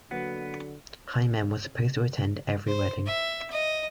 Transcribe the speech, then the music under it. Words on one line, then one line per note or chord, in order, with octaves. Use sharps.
Hymen was supposed to attend every wedding.
D3 F#3 A#3 B3 B4 F#5
C5
E5
D#5